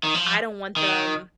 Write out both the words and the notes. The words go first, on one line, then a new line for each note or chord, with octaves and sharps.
I don't want them
D#3
F3
D#3